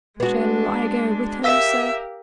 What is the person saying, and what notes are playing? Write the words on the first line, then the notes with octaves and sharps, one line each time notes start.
"Shall I go with her, sir?"
G#3 B3 D4 F#4
G4 A#4 E5 F5 E6 B6